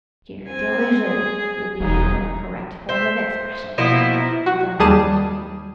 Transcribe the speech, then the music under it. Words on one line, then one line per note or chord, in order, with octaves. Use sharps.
"Sheer delusion would be the more correct form of expression," the doctor rejoins.
C4 G#5
G#4
E1 D#4 G#4
C5 E5
B2 F3 A#3 E4
F#4
D#2 G3 G#4 A5 D#7 E7